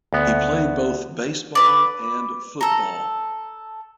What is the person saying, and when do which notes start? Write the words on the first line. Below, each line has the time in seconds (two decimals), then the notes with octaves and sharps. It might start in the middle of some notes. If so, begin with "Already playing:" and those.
He played both baseball and football.
0.13 D2 B3
1.55 B4 D5
2.61 A4 A#5